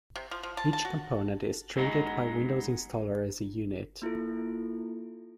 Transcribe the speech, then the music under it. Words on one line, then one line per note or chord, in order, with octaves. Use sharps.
Each component is treated by Windows Installer as a unit.
C3
F3
F3
A5
A5
F#4
F#2 F#3 G#3 B3 D#4
A#3 E4 F4 A4